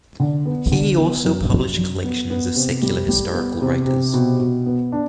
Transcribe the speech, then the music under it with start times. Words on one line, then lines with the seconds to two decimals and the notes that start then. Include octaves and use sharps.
He also published collections of secular historical writers.
0.20 D3
0.46 B3
0.72 D3
0.98 B3
1.25 F#2
1.51 F#2
1.77 F#2
2.04 B3
2.30 B3
2.56 C3
2.82 G3
3.09 G3
3.34 B3
3.61 C3
3.86 C3
4.13 B2
4.39 B2
4.66 B3
4.92 D4